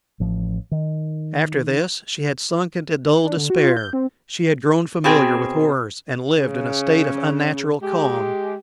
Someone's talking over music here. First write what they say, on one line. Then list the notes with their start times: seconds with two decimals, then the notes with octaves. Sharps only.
After this she had sunk into dull despair; she had grown familiar with horrors and lived in a state of unnatural calm.
0.20 A1 F3
0.71 D#3
3.25 D4
3.37 D3
3.50 F#4
3.63 F4
3.77 G6
3.93 C4
5.04 B2 C4 G#4 G5
6.38 C#3
7.81 G#3 G4